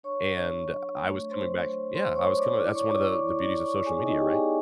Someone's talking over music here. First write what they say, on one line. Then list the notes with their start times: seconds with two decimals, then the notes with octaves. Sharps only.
and I was coming back Yeah. I was coming that's one of the the beauties of social media, right?
0.03 D4 C#5 C#6
0.36 D4
0.68 F#3
0.99 A3
1.31 D4 C5 C6
1.63 F#3
1.95 F#3 C5 C6
2.16 C#5 C#6
2.27 F#3
2.37 D5 D6
2.58 E4 D5 D6
2.75 C#5 C#6
2.91 E4 D5 D6
3.06 C#5 C#6
3.22 E4
3.43 D5 D6
3.54 E4
3.64 C#5 C#6
3.86 B3 G#4 G#5
4.02 D#4 D#5
4.18 B3 G4 G5
4.34 G#4 G#5